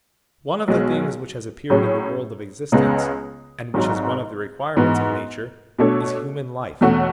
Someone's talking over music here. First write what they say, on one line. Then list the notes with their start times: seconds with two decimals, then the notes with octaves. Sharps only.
One of the things which has appeared in the world of existence, and which is one of the requirements of Nature, is human life.
0.68 B1 B2 G#3
1.70 A2 F#3 C#4 G#4
2.72 C#2 C#3 G#3 B3
3.74 G#1 G#2 F#3
4.77 G#2 E3 B3 F#4
5.79 B2 A3 D4 A4 C#5
6.81 E2 B2 A3 C#4 F#4